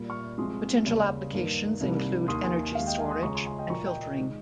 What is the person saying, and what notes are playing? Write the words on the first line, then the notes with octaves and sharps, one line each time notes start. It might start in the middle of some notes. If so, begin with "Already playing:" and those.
Potential applications include energy storage and filtering.
Already playing: A#2 G3 A#3
C#6 F6
C2 C3 F3 G#3 C6 D#6
D#2 C#3 G3 A#3
G2 D#3 A#3
C2 C3 D#3 G3 A#3
D#2 D#3 A#3 C6 D#6
G#5 C6
D#2 D#3 G#3 F5
D#5 G5
F5 G#5
C6 D#6
C#2 C#3 G#3 A#5 C#6
G#5 C6
G#5 C6
D#5 G5
A#2 F3 A#3 A#5 C#6
D#5 G5
D#5
D#3 G#3